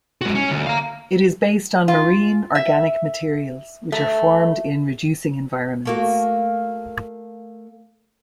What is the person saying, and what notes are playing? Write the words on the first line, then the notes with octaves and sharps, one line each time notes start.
It is based on marine organic materials, which are formed in reducing environments.
G#3 F#4
C#4
D2
F5 A#5
F4
E5
A3
A3 A#3 F#4